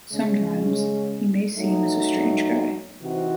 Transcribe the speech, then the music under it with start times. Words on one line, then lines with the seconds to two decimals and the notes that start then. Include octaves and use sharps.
Sometimes, he may seem as strange guy.
0.11 C#3 G#3 C#4
1.56 F#3 A3 D#4
3.02 C3 E3 C4 D#4 F#4